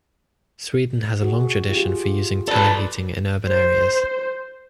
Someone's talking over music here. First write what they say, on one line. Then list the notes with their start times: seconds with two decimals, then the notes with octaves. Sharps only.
Sweden has a long tradition for using teleheating in urban areas.
1.21 F#4 G#4
1.69 F4 G4 G#4
2.48 A4 B4 D5
3.48 C5